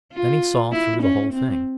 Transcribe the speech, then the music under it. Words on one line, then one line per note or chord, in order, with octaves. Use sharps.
Then he saw through the whole thing.
F4
E4
C#4
C4